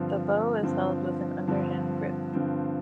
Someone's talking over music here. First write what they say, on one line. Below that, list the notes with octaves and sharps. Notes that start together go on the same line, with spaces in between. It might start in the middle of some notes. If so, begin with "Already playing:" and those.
The bow is held with an underhand grip.
Already playing: G2 D3 F3 C4
G2 D3 F3 C4
G2 D3 F3 C4
G2 D3 F3 C4